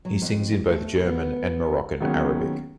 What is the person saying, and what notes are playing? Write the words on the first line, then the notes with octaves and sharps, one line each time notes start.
He sings in both German and Moroccan Arabic.
F#3
F2
A3
B3
D#3 F#3 G#3 A#3 B3 C#4